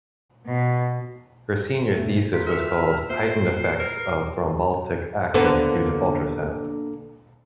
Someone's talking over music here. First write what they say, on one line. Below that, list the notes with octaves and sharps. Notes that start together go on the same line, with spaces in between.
Her senior thesis was called "Heightened Effects of Thrombolytic Actions Due to Ultrasound".
B2
G2 B2 A3
F4 A#4 B4 B6
E5 F6
A#3 F4 C5 E5 C7
A#2
A#4 B4
D3 A#3 B3